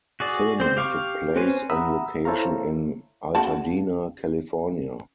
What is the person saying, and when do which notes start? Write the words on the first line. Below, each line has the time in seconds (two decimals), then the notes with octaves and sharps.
Filming took place on location in Altadena, California.
0.20 F#4 G#4 D5
0.60 C4 C5
0.77 G4 F5 C#6 D6
1.36 C4 C#4 B4 C5 G#5
1.70 E5 F#5 A#5 B5 D#6 E6
2.25 E4 A4 C5 C#5 F5 A#5
3.35 C#3 F#4 A5